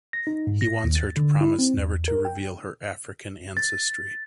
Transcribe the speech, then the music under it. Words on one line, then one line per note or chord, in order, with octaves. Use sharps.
He wants her to promise never to reveal her African ancestry.
A#6
D#4
G#2
A#6
D#2
A6
D3
E4
C4
E2
A#4
G5
A6